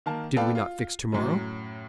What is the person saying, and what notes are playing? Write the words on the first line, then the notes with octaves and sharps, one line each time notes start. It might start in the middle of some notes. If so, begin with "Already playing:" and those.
"Did we not fix to-morrow?"
D#3 A#3 A5
B3 A4 B4 D5 F5 G5
F4
F#2 A2 F#3